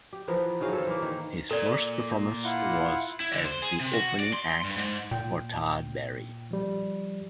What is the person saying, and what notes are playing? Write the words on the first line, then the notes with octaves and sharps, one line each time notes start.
His first performance was as the opening act for Todd Barry.
G4
E3 F3 B3 A#4
D#3 F#3 G#4 F5
A4 C5 F5
E3 A#3
D#3
A#2 A4 D5
E4 F4 F#5
E4
D3
C5
G#4
C3
F#4
D5
C6
G2
G#2
A#2 G5
F3 G3